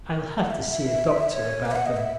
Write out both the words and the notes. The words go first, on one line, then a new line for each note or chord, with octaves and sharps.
I'll have to see a doctor about them.
A#4
F#5
E5
E5
E5
C#5
B4
E5
F#5
D#5
E5